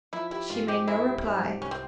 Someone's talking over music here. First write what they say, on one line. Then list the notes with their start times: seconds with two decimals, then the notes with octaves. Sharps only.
She made no reply.
0.13 F3 E4
0.31 E4 G4
0.50 G#2 F4
0.68 C4 G4
0.87 C4 E4
1.05 G4
1.24 G#2
1.43 G4
1.61 C2 C#4
1.71 C4